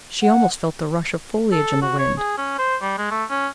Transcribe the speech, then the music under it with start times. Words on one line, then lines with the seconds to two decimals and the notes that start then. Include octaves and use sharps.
She almost felt the rush of foliage in the wind.
0.23 F#5
1.52 A4
1.82 F#4
1.99 C#5
2.18 G#4
2.37 C#4
2.59 C5
2.82 G3
2.98 G#3
3.11 A3
3.30 C#4